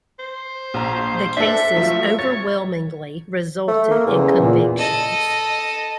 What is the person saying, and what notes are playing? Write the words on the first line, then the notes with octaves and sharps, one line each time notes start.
The cases overwhelmingly resulted in convictions.
C5
A#1 A#5
D4 A4 E5
F3 F#3 A3
C#5 A6
A3
A#3
E2 C#3
A#2
A4 D#5